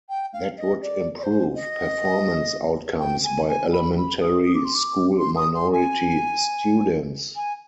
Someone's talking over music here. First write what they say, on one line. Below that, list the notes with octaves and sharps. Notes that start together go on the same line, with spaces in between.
That would improve performance outcomes by elementary school minority students.
G5
F5
D#5
D5
D5
C5
D#5
G5
G#5
G#5
B5
B5
D#6
D#6
D6
C6
D6
C6
D#6
C6
G#5
G#5